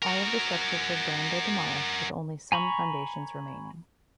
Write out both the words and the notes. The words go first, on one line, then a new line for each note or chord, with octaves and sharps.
All of the structures were burned or demolished, with only some foundations remaining.
F#4 A#4
G#5 A#5 B5 C#6